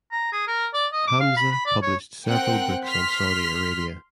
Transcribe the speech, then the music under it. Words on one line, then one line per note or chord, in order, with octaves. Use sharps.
Hamza published several books on Saudi Arabia.
A#5
G#4
A#4
D5
D#5
D6
F5
B5
B5
D5
C#5
C4 A#4 F#5 G5 F#6
C6 F6 B6